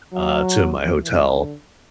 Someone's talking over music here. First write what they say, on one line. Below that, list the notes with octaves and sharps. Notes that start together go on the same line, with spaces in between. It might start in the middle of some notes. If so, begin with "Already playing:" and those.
uh, to my hotel,
F#3
E3
D3